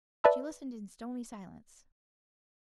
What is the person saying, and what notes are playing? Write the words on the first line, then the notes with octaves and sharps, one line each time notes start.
She listened in stony silence.
B4 D5 E5 A5 B5 E6